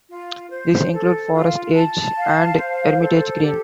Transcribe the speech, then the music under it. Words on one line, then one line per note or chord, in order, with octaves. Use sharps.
These include Forest Edge and Hermitage Green.
F4
C5
A4
F4
A5
F5
C5
A4
G4